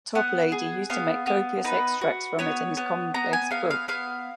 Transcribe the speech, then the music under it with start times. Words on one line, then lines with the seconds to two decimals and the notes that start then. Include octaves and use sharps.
Toplady used to make copious extracts from it in his common-place book.
0.15 B3 F#5
0.52 G#4
0.90 B3 F5
1.27 B3
1.64 D#4 B4
2.01 F#4
2.39 B3 C#5
2.77 B3
3.14 B3 A#5
3.33 G#5
3.51 B3 F5
3.71 F5
3.88 B3 F5